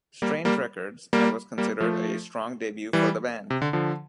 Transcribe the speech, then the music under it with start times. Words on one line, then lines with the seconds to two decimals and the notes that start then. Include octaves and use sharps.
Strange Records, and was considered a strong debut for the band.
0.22 G3 A#3
0.45 G3 A#3
1.13 G3 A#3
1.58 G3 A#3
1.80 F3 A3
2.93 E3 G3
3.50 C3
3.62 D3
3.73 D3 F3